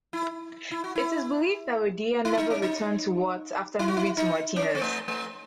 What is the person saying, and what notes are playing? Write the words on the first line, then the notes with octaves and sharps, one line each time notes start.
It is believed that Rodia never returned to Watts after moving to Martinez.
E4
E4
F#4
E4
E4
D#4
C#4
D#4
E4
F#4
E4
D#4
C#4
C4
A3
A3